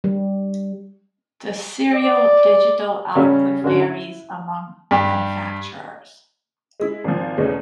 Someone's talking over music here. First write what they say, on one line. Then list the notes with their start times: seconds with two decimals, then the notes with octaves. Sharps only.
The serial digital output varies among manufacturers.
0.04 G3
1.94 D5
3.15 C#3 G3 C#4
3.64 D3 C#4 F#4
3.80 E4
4.91 G2 G4
6.80 G#3 E4
7.04 G#1 F3
7.37 E2 B2 G#3 A3 C#4